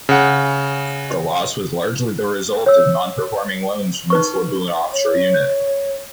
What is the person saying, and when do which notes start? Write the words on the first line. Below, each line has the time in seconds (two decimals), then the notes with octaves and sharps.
The loss was largely the result of non-performing loans from its Labuan offshore unit.
0.09 C#3 F#5
2.66 C#5 E6
4.10 D#4 B4 C#6
4.93 C#5